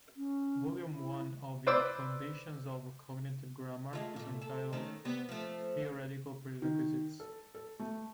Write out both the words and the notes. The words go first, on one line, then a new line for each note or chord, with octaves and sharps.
Volume one of the "Foundations of Cognitive Grammar" is entitled "Theoretical Prerequisites".
C#4
E4
B4 C5 D5 D6 E6
G#3 A3 F4
A#2 A3
A4
D#3 A3 C#4
C3 G3 B3
F3 A3
D#3
A4
A4
A3